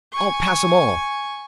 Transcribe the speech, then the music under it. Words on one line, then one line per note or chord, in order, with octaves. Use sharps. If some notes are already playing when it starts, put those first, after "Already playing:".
"I'll pass 'em all!"
G#5 C#6